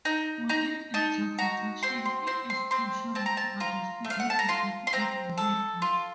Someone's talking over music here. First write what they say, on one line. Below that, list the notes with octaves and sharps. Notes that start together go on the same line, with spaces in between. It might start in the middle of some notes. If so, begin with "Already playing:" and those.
For this interpretation, it is crucial to understand what exactly an event is.
D#4 A#5
D#4 A#5
D#4 A5
F#4 A#5
C4 C6
C6
C4 C6
C6
C4 C6
C4 A5
A#5
A5
F4 A#5
A3
F5
F#5
A5
A#5
F4 C6
C6
C4 A#5
A4
F4